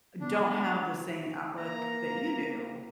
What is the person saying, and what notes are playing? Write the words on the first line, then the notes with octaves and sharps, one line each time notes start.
don't have the same outlook that you do?
B3 D4
A#3 A#5